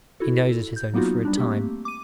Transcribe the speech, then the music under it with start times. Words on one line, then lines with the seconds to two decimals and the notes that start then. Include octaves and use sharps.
He knows it is only for a time.
0.20 E4 F#4 A4
0.76 G6
0.94 F#3 A#3 B3 D#4 F4 F#4
1.25 G3 D4
1.37 A3 A#3 C4 G4
1.85 D6 D#7